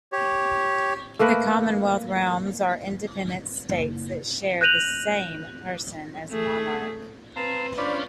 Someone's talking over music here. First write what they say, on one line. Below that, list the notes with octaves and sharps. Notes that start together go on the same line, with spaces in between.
The Commonwealth realms are independent states that share the same person as monarch.
G4 C#5
A3 A#3 A#4 B4
F#1
F#6 G6 A#6 D#7 F7 F#7
A3 G#4
C4 B4 F5 A5 A#5
C#4 D4 F4 C5 D5 B5